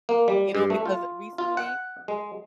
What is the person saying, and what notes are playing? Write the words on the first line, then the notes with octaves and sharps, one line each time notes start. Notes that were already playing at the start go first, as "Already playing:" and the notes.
You know, because, recently,
A#3
G3
G2
A3
F4
F4
F#5
G#3